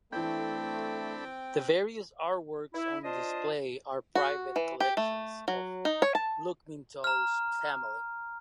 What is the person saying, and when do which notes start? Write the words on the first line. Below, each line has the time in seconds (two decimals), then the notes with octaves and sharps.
The various artworks on display are private collections of Lukminto’s family.
0.12 E3 A3 C4 D4 A4 G5 B5 G6
2.74 E4
3.04 D4 F4 C5 D#5 A5
4.15 F#4
4.56 E3
4.80 G4
4.97 A3
5.48 F#3
5.85 D#4
6.02 C#5
6.15 A5
7.04 A#5 F6